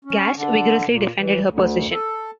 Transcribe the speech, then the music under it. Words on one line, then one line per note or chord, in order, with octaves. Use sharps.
Gash vigorously defended her position.
C#4
D3
A#2
E3
D2
A4